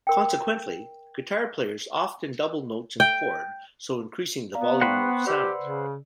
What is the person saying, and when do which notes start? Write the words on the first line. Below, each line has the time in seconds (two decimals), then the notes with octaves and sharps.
Consequently, guitar players often double notes in chord, so increasing the volume of sound.
0.07 A#4 G5
3.00 G5
4.55 B3 D5 F5 A#5
4.81 B4 C5 F#5 G5 C#6
5.27 G4 D5 E6
5.61 C#3